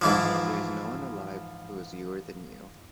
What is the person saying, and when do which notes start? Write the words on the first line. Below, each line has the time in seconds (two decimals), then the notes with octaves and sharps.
There is no one alive who is youer than you.
0.01 G#2 E3 F3